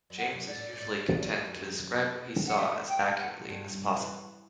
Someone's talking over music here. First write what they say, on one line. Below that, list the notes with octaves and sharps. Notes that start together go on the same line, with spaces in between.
James is usually content to describe what he saw as accurately as possible.
F#2
F#5
F#2
D5
A2
B2
A2
B2
B2
C#3
G2
F#2
F#5
E5
G5
F#5
G2
E3